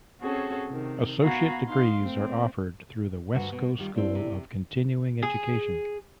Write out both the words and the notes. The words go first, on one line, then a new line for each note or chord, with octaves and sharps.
Associate degrees are offered through the Wescoe School of Continuing Education.
C4 C#4 F#4 G#4 A4 C#5
C3 D#3
B3 F#4 F5 G#5 A#5 B5
D#4 F5 C6
A3 C4
D2 G2 F#4
B2
D#3 G3 F4
G2 C4 E4 D5
C3
G#4